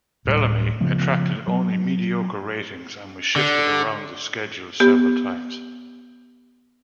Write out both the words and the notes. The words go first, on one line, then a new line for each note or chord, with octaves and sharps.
"Bellamy" attracted only mediocre ratings and was shifted around the schedules several times.
D1 A2 G3
C#3 F3 A3 B3
F#3
D3
B3 G4